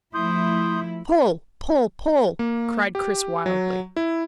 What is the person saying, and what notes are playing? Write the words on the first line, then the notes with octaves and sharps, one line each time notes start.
"Pull, pull, pull!" cried Chris wildly.
F3 A3 E4 C6 D#6 G6
A#3
G4
F#3
E4